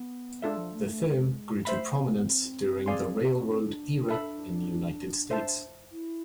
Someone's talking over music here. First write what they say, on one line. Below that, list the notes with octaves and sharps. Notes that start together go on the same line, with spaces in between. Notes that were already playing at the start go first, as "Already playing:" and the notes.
The firm grew to prominence during the railroad era in the United States.
Already playing: B3
G#3 D4 F4 A4 E5
F3
A3
A3
G#3
A3 C5 E5 B5
B3
C4
G#4 D5 F5 G#5 C6
D4
C4
D4
A4 E5 B5
C5 E5 A5
E4